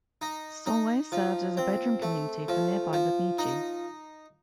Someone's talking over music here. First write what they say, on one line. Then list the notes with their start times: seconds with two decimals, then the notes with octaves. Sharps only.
Solway serves as a bedroom community for nearby Bemidji.
0.22 D#4
0.66 D#4
1.12 F3
1.57 C4
2.02 A3
2.48 F3
2.93 F3
3.38 D#4